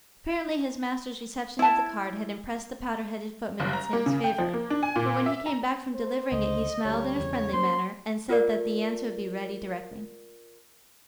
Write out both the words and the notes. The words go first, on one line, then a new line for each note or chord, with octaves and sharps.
Apparently his master's reception of the card had impressed the powdered-headed footman in Sam's favour, for when he came back from delivering it, he smiled in a friendly manner, and said that the answer would be ready directly.
E4 A5
F#1
A#5
A#3
C#3
G5
F3
A#3
D4
G#5
A#2
E5
A#5
C5
C#2 D3 D#5
D2 G3 C#5
E2 C#3
A#3 C#4 C5 C6
F4 A#4 D5